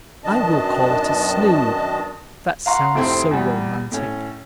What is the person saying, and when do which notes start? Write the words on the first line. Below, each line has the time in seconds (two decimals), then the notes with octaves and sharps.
I will call it a snood--that sounds so romantic.
0.24 F#2 B2 D#3 D4 D#5 A5
2.66 F5 F#5 A#5 C6 C#6
2.95 F1 F2 C4 E4 C6
3.31 E2 G3
3.92 A2 C#4